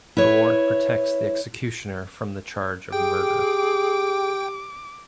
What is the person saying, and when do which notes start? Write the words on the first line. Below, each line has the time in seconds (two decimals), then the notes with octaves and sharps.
The warrant protects the executioner from the charge of murder.
0.17 E4 B4 C#5
2.92 G4 G#4 G5 D6